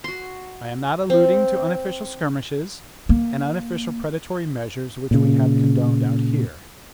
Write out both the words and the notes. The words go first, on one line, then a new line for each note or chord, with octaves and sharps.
I am not alluding to unofficial skirmishes, and unofficial predatory measures which we have condoned out here.
F#4 C6
C4
A#3
A#2 C#3